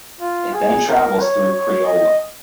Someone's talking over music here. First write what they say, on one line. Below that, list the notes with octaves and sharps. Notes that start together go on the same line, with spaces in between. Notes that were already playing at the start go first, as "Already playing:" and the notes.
It then travels through Creola.
F4
G#4
A#4
C#5
C#5
D#5